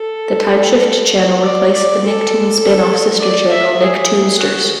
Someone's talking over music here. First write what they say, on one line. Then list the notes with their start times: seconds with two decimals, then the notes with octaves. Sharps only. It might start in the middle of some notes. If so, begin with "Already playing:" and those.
The timeshift channel replaced the Nicktoons spin off sister channel Nicktoonsters.
Already playing: A4
1.41 D5
1.72 D5
2.01 A4
2.60 A4
3.20 D5
3.49 E5
3.79 G#4
4.37 F#4